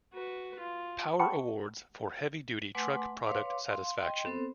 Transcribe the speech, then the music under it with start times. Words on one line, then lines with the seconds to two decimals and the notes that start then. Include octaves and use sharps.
Power Awards for Heavy Duty Truck Product Satisfaction.
0.13 F#4 B4
0.59 F4
1.19 F#5 G5 A5 B5 C#6 C#7
2.75 A3 B4 F#5 G#5 C6 D6
3.25 B4 C#5 F5 C6 D6
3.66 F5 C6
4.00 D#5 G5 C6
4.25 B3 C4 A4 C5